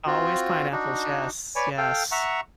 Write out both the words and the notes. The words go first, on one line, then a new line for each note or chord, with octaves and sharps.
Always pineapples, yes, yes.
C4 F4 F#4
D4 D#4 F#4
B4 C#5 D5 G#5
A4 F5 G5
E5 F#5 A#5 C#6